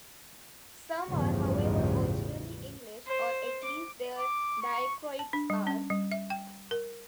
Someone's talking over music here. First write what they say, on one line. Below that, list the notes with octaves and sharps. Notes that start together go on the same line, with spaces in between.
Some are however originally English, or at least their diacritics are.
A1 E2 G2 C#3 F3
C5
D6
D6
C#6
A5
D4
G3
C#4
G3
E5
G5
A#4